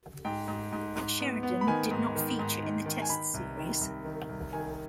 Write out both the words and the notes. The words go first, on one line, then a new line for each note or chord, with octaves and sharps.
Sheridan did not feature in the Test series.
G#2 G5
G#2
G#2
G#2
B3
B3
B5
D#3 G#5
G#2
D#3
G#2
D#3
D#3
G#5
D#3 B5
C2
D#3
C2
D#3
C2
D#3 G#5